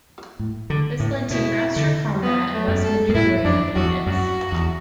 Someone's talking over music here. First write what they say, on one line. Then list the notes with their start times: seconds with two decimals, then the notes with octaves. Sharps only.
This led to faster combat and less maneuvering of units.
0.39 A2
0.70 D3
1.00 A2
1.31 B2 E4
1.76 D3
2.23 B3
2.53 A3
2.68 F#2
2.84 A4
3.09 F#2
3.15 A2 E4
3.44 F#2 D4
3.75 E2 F#4
4.06 F#2 F#4
4.52 E2